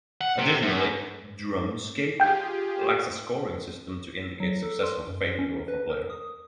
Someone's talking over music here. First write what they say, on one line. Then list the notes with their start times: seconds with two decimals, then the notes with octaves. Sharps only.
Additionally, "Drumscape" lacks a scoring system to indicate success or failure of a player.
0.21 F#5
0.39 C3
0.63 F#2
2.20 F4 G4 G#4 G5 G6
4.40 F#3
4.63 A4
4.83 C6
5.07 F#2
5.39 C#4
5.68 B4
5.90 A#4
6.10 D#6